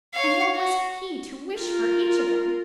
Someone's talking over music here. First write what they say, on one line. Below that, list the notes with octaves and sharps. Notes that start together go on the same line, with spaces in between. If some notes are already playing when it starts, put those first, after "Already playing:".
And what was he to wish for each of them?
C#5 F5
F#4
F4 A#4